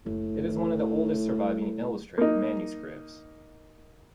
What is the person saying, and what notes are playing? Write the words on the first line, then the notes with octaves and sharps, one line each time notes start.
It is one of the oldest surviving illustrated manuscripts.
F#1 A2
A#3 D#4